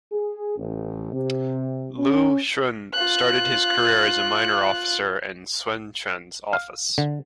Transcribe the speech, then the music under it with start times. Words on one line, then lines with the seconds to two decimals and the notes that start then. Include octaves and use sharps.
Lu Xun started his career as a minor officer in Sun Quan's office.
0.12 G#4
0.57 A1
1.13 C3
1.97 C#4
2.93 F4 F#6
6.53 F5
6.98 D3